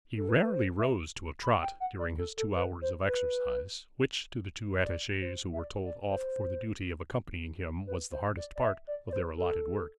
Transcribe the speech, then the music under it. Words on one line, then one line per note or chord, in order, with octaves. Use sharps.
He rarely rose to a trot during his two hours of exercise, which to the two attache's who were told off for the duty of accompanying him was the hardest part of their allotted work.
A4
B4
B4
C5
E5
B5
G5
F#5
D5
A4
A4
B4
C5
B4
D5
C5
E5
D5
D5
C5
B4
C5
D5
D5
E5
D5
D5
C5
A4